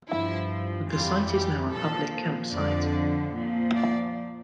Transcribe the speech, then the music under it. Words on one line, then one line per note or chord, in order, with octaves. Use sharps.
The site is now a public camp site.
G2 F3 E4
F2 E3 G3 F4
G4
A#2 F3 A4
F2 D3 F3 D5
A#2 F3
D5